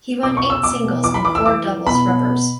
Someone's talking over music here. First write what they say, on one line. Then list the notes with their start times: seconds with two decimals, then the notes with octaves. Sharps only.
He won eight singles and four doubles rubbers.
0.23 B2 D6
0.37 C#6
0.43 B2
0.50 E6
0.63 B2 D6
0.84 B2
1.04 E3 D6
1.14 B5
1.24 E3 D6
1.35 E6
1.45 E3 D6
1.66 E3
1.86 B2 B5
2.07 B2
2.27 B2